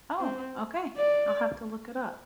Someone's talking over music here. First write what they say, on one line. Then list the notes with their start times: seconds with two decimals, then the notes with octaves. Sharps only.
Oh, okay, I'll have to look it up.
0.19 C4
0.97 D5